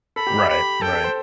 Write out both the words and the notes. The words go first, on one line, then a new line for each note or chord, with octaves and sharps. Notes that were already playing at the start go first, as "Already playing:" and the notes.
Right. Right.
A4 B5
G4
G4
B5
A4 G5
A4
C5